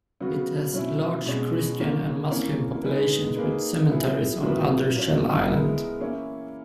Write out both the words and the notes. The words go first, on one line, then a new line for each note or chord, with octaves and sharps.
It has large Christian and Muslim populations with cemeteries on another shell island.
C#3 F#3 B3 F#4
B2 F#3 C#4 E4
B2 G#3 C#4
D#3 A#3 C#4
E3 A#3 C#4
G#3 D#4 G#4 B4
A#3 D#4 G#4 B4
F#3 B3 E4 G#4
A#2 F#3 A#3 E4 B4
A#2 F#3 C#4
G#3 B3 E4 A#4
E3 A#3 C#4 E4